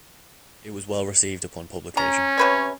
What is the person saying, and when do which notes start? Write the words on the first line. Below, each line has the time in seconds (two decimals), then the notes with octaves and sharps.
It was well received upon publication.
1.97 C#4 A#5
2.38 C3 B4 C#5